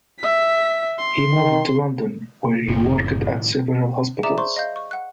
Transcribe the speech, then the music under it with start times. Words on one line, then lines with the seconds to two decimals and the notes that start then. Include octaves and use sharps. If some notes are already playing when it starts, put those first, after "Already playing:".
He moved to London, where he worked at several hospitals.
0.20 E5 B6
0.98 C6
1.32 D#3
2.68 F#1 A2 D#3
4.23 G#4 D5 E5 A#5 D6 E7
4.38 C5 C6 C#6
4.56 D#5 F5 G6
4.76 C#6
4.91 F#5 F#6